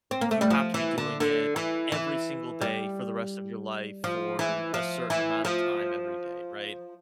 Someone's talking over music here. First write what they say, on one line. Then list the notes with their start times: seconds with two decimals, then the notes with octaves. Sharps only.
you have to be doing it every single day for the rest of your life for a certain amount of time every day, right?
0.11 C4
0.21 A#3
0.31 A3
0.41 G3
0.50 F3
0.74 E3
0.98 D3
1.20 D3
1.56 E3
1.92 E3
2.61 G3
4.04 F3
4.39 E3
4.74 F3
5.10 E3
5.45 F3